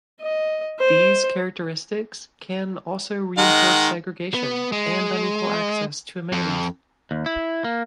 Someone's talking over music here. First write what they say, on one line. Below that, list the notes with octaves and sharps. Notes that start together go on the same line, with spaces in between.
These characteristics can also reinforce segregation and unequal access to amenities.
D#5
C5
D#3 G#3 F#5
B3
G#3
F2
D#2
E4
A#3